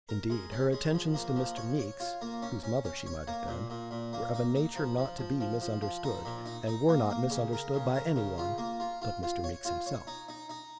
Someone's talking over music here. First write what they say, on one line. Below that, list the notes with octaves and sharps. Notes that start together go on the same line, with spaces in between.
Indeed, her attentions to Mr. Meeks, whose mother she might have been, were of a nature not to be misunderstood, and were not misunderstood by anyone but Mr. Meeks himself.
A#4
G#3
C#4
G#3
F3
A#3
F3
C#5
C#5
F4
A#3
C#4
C#4
C#4
C#5
A#3
A#2
A#2
A#2
A#3
D#4
D#4
F3
F3
F3
F3
F3
F3
D#4
A#2
D#4
D#4
A#3
A#3
C#3
A#4
C#3
A#4
C#3
F4
A#3
F4
F4
F4
C#5
F4
C#5
D#4
D#4
D#4